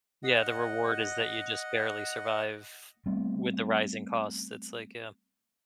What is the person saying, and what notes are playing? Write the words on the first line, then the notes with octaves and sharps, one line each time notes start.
Yeah, the reward is that you just barely survive with the rising costs, it's like yeah.
D#5 F#5
G3 A3 B3 C4